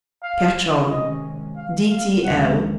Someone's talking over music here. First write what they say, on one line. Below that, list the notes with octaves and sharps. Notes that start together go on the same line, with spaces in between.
Catch on. D.t.l.
F5
C3 D#3 G#3 C#4 D#5
F5
F5
D#2 C#3 F3 G#3 F#5